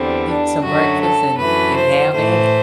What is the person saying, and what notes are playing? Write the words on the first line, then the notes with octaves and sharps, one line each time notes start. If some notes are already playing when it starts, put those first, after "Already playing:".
eat some breakfast and and have at it.
Already playing: E2 D3 G3 C4
D4
F#2 D3 F#3 A3 F#4
A4
F#2 E3 A3 B4
C5
A2 E3 A3 C5